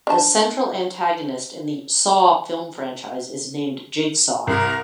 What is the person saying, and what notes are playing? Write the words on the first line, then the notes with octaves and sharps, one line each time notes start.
The central antagonist in the "Saw" film franchise is named Jigsaw.
D4 A5
C2 A#4